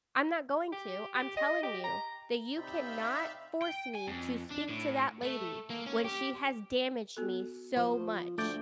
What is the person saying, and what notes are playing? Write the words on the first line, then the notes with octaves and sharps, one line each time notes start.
I'm not going to, I'm telling you that you cannot force me to speak to that lady when she has damaged me so much,
G4
G4
D#5
G4
A#5
C3 C4 D#4 D5 E5 F5 G5 B5
G5
G#5
F2
D4
A2
A3
A#3
C#4
G4
B3 F#4 A4
F3 C5
D2 A3 D5 G5